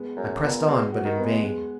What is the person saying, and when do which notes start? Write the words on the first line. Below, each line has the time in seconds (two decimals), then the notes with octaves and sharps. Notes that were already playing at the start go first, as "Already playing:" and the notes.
I pressed on, but in vain.
Already playing: G#3 B3
0.17 F#2 G#3
0.42 A#2 B3
0.68 B2 G#3
0.92 F#4
1.05 D#3
1.18 B3
1.25 G#3
1.43 G#3